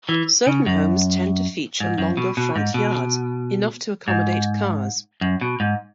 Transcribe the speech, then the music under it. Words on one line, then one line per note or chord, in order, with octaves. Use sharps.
Certain homes tend to feature longer front yards, enough to accommodate cars.
E3
C#3
F#2
G#2
F#2
B2
B2
G#2
B2
G#2
F#2
B2
G#2